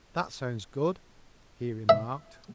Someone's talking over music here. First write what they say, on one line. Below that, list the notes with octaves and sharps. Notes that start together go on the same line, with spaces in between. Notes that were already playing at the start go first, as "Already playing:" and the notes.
"That sounds good," he remarked.
E5